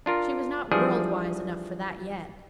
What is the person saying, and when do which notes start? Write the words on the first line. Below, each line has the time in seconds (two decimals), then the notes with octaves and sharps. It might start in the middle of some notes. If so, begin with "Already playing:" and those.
She was not world-wise enough for that yet.
0.06 D4 F4 A#4
0.72 E3 F3 G3 D4 G#4